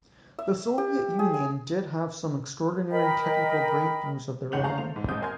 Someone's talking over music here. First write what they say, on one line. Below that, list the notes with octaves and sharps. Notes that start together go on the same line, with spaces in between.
The Soviet Union did have some extraordinary technical breakthroughs of their own.
E5
G4
G#4
G#5
A#4 D#5 G5 B5
F1 G#2 F#5 G6 F7 F#7
G#4 F5 A5 A#5 C#6 G6
A3 C5 F7
G#2
A1 F2 G#3 C4 D#6 G6
A#4 G#5 C6 F6 G6 G#6